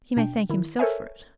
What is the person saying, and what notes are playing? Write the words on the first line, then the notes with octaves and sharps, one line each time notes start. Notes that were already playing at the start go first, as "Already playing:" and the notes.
"He may thank himself for it."
B2 D4 G5
D#3 E4
A4 A#4 C5 C#5 E5 G#5